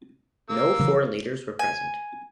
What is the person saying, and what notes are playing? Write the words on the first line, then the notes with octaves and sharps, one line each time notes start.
No foreign leaders were present.
A#3 E6
C#3 E3 F#3
G#5